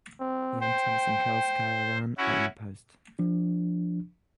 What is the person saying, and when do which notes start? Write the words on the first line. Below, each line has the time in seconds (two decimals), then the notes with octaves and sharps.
Ian Thomas and Karl Skala ran unopposed.
0.20 C4
0.61 C5 G5
2.18 C#4 E4 F#4
3.19 F3 D4